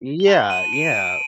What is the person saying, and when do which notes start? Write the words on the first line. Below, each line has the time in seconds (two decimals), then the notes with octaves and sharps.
Yeah, yeah.
0.20 G7
0.27 A5 C6 F#6 F#7
0.50 D#7
0.73 D7
0.95 D7